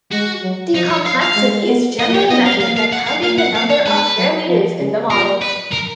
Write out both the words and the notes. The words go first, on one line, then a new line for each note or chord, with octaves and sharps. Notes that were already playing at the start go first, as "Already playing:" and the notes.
The complexity is generally measured by counting the number of parameters in the model.
G#3 F#4
F#3
F3 D#4
C#5
F5
F5
G#3
B3
A#3 D#5
C#5
B3 D#5
F5
A#3 F5
F5
F#5
F5
A#3 F5
F#5
A#3 F5
C#5
G#3 B4
F#3
F3
C#3
A#2 A#4
B4
A#4